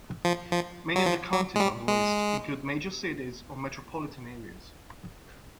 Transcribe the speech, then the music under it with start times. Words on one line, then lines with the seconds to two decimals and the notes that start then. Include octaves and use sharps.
Many of the counties on the list include major cities or metropolitan areas.
0.25 F3
0.52 F3
0.96 F#3
1.06 F3
1.33 F#3
1.56 G#3
1.60 G3
1.88 G#3